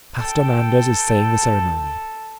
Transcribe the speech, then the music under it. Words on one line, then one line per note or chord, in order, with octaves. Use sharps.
Pastor Manders is saying the ceremony.
A4 G5